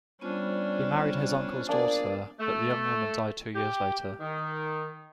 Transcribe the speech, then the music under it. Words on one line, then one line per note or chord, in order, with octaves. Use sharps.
He married his uncle's daughter, but the young woman died two years later.
G3 B3 C#4 D4 F4 C5
A#3 D4 G#4 D5
A3
G4
D#3